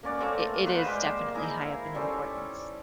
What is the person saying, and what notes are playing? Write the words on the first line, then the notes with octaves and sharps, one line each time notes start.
it it is definitely high up in importance.
A#3 C#4 D5 F#5
A3 A#3 C4 D6
A#3 B3 B4 C5
G3 G#3 G4 C5
D#4 E4 G#4 A#5
G3 C#4 A4 C5